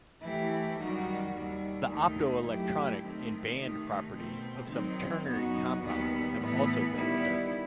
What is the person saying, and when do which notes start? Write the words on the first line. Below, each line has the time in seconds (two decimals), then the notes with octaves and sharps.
The optoelectronic and band properties of some ternary compounds have also been studied.
0.21 E3 A3 E4 G4
0.77 F#2 D#3 G3 D#4 F#4
1.33 D#2 D#3 G3
1.89 D#2 D#3 A3 D#4
2.45 F#2 F#3 A3 E4 G4
3.01 D#3 A3 C4
3.58 C3 D#3 A3 D#4
4.14 B2 A3 C4
4.70 D#3 F#3 C4 D#4
5.26 F#2 F#3 B3 D#4 F#4
5.82 D#2 D#3 G3 B3
6.38 A2 E3 B3
6.95 D#3 G3 B3 E4